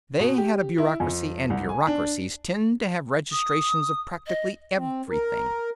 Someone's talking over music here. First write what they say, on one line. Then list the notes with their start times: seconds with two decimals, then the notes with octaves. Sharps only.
They had a bureaucracy, and bureaucracies tend to have registrations of practically everything.
0.19 B2
0.38 G4
0.78 E4
1.00 F2
1.50 C2
1.69 G#5
1.87 D4
3.32 D#6
4.27 D#5
4.77 C4
5.10 A#4